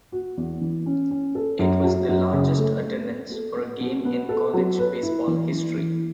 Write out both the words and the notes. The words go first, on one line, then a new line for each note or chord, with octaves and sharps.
It was the largest attendance for a game in college baseball history.
F#4
E2
E3
C#4
C#4
A4
F#2
F#3
F#2
C#3
A3
A3
B3
A4
B3
B2
B3
A4
F#3
B4
E4
E3
E3
E3